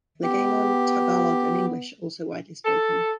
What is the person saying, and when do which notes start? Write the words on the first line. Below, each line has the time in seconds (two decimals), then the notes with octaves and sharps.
Hiligaynon, Tagalog, and English are also widely spoken.
0.23 B3 G4
2.65 A4